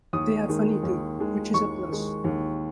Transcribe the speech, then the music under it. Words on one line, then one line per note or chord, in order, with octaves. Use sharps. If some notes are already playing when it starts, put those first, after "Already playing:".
They're funny too, which is a plus.
D#2 D#6
D#3 G#3
D#2
D#3 G#3
D#2 C#6
D#3 G#3
D#2